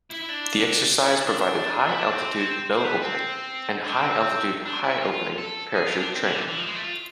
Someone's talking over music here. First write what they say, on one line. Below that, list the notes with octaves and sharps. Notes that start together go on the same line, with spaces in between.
The exercise provided high altitude low opening and high altitude high opening parachute training.
E4
E4
D4
E4
D4
D4
E4
D4
C4
C4
B3
C4
D4
C4
D4
E4
F4
A4
G#4
F4
D4
C4
E3
D3
E3
F3
G#3
A3
F4